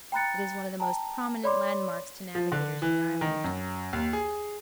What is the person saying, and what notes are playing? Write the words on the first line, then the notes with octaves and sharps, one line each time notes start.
It is one of the most prominent landmarks to navigators in the island.
G5 A#5 B5 F#6 A6 C#7
G5 A5 A#5
C#5 D5 B5 C6 D6
F3
D3
E3
D#3
F#2
D#2
G#4